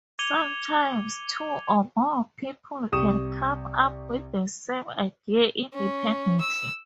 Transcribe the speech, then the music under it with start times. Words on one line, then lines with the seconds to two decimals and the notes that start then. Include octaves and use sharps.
Sometimes, two or more people can come up with the same idea independently.
0.19 D6 G#6 C#7 D#7 F7 G7
2.92 C2 G4 C#6 D#6 E7
5.74 C#4
6.41 E6